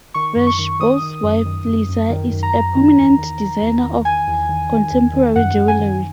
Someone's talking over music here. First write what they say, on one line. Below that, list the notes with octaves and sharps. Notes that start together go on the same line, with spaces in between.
Vershbow's wife, Lisa, is a prominent designer of contemporary jewelry.
D#3 C#6
F#2
C#6
D#3
D#3 D#6
D#3
F#2
D#3
F#2
F#2
D#3
F#2
A#5
F#2
D#3
E2
D#3
D#3
E2
D#3
D#3 G#5
E2
D#3
D#3
E2
D#3
F#2 F#5
F#2
G#5
D#3